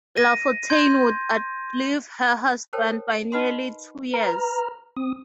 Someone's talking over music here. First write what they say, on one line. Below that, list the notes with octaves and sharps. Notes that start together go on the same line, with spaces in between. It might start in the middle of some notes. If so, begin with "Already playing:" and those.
Lafontaine would outlive her husband by nearly two years.
A#6 D#7
C6 G6 G#6
A4 A#4 C5 C#5 G5 A5
D#4 B4 D#5 F#5 B5 C6
B4 A#5 F6
C4 D#6